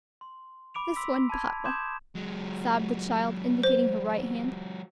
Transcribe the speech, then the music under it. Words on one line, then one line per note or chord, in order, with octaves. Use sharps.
"This one, papa," sobbed the child, indicating her right hand.
C6
B5 D6 D7 F7
C6 E6 B6
A5 B5 G#6
C6 D6 D#6 G6 G#6 E7
F#3 G#3
C5